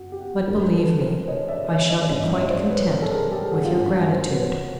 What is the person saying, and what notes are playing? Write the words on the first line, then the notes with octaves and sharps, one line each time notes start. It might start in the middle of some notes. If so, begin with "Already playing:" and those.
But, believe me, I shall be quite content with your gratitude.
Already playing: F#1 F#4
G4
F#4
F#2 D3 F#3 A3 G#4 A#4
A4 B4
A#4 C5
C#5 D#5
D5 E5
C#5 D#5
C#5 D#5
D5
A1 G2 E3 C#5 D#5
E5
C#5 D#5
C5 D5
B4 C#5
A#4 C5
A4
G#4 A#4
G4 A4
F#4 G#4
F4
A1 G2 E3 G#3 F#4
F#4
A#4 C5
B4 C#5